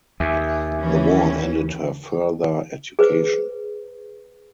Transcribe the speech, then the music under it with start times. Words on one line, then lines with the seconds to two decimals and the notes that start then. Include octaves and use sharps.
The war ended her further education.
0.20 D#2 E5 G#5 D6
0.79 E3 C#4
2.99 G#4 B4 C5